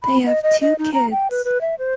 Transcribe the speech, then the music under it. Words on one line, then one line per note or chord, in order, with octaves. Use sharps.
They have two kids.
B5
D#5
D#5
D#5
D#4
A#5
G5
B4
B4
E5
C5